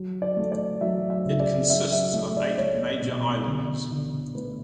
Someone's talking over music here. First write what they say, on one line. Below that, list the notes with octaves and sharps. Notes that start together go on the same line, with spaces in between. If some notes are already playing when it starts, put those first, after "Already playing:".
It consists of eight major islands.
Already playing: F#3
D5
A3
D5
F#3 E5
E5
C#3
D5
F#3 E5
E5
A3 E5
D5
A3 C#5
B2
D3
D3
A3 B4